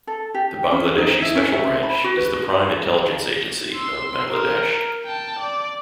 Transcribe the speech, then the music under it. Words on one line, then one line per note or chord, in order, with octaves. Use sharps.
The Bangladeshi Special Branch is the prime intelligence agency of Bangladesh.
A4
G4
C#4
D#4
E4
C#4
E5
B5
F#4
B4
F#4
C6 E6
A#4
G5 A5
D5